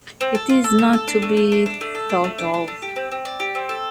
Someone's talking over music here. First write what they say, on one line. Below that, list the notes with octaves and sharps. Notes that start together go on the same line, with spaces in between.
It is not to be thought of.
C4
A4
F4
A4
A3
A4
D4
A3
A3
D4
D4
A3
A4
D4
A3
D4
D4
A3
G4
C4
C4
D5
G4
C4
A4